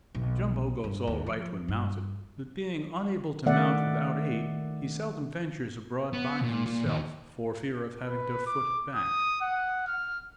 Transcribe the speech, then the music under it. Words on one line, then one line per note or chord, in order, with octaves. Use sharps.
"Jumbo" goes all right when mounted, but, being unable to mount without aid, he seldom ventures abroad by himself for fear of having to foot it back.
B1
G2
D#2
F3
G2
D#3 A3 D5 E5 F#5
B3
A#2
A#2
D#2 D#4
B4
D6
D#6
F#5
F6